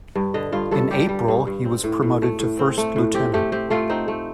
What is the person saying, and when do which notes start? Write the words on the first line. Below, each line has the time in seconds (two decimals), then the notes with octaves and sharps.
In April, he was promoted to first lieutenant.
0.15 G2
0.34 D3 D#5
0.52 G2 F4
0.71 G2 A4
0.91 G3 G4
1.09 G3
1.28 G2
1.47 G2
1.65 C4
1.84 A2
2.02 A2
2.22 A3
2.40 A2
2.59 C4
2.78 A3
2.96 A2
3.14 C4 G4
3.34 A3 G4
3.52 C4 G4
3.70 A3 F4
3.90 C4 D#4
4.08 A3